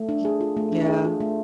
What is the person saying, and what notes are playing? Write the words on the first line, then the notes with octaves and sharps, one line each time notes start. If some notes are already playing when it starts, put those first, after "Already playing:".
Y yeah.
Already playing: A3
D4
G#4
F4
A3
D4
G#4
F4
A3